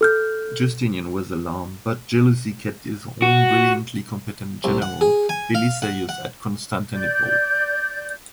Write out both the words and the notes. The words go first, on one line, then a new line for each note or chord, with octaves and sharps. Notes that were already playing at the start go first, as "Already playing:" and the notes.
Justinian was alarmed, but jealousy kept his one brilliantly competent general Belisarius at Constantinople.
A4 F6 G6
F#4
C2
F#5
G#4
G#5
F5
F#5
F#5
D5 G6